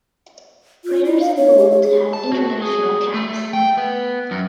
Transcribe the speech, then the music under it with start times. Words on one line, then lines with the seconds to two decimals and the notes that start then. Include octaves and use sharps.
Players in bold have international caps.
0.85 F4
1.05 E4
1.21 F5
1.37 C#5
1.58 G4
1.71 C#5
1.83 G#4
2.13 A5
2.32 F#4
2.62 G#4
3.14 A3
3.53 G5
3.77 B3
4.31 F#2